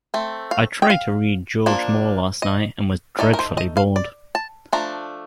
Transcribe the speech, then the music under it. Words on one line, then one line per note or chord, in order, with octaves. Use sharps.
I tried to read George Moore last night, and was dreadfully bored.
A3 C4
F5
G5
F5
F3 A#3 D4
D#5
A3 D#4 D5
A#4
C5
D#5
F5
D5
A5
F3 A3 D4 A#5